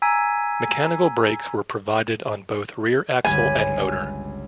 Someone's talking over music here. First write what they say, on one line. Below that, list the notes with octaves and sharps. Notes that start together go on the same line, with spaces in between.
Mechanical brakes were provided on both rear axle and motor.
G#5 A#5 E6 G#6 B6 D#7
G1 C#2 G#5 B5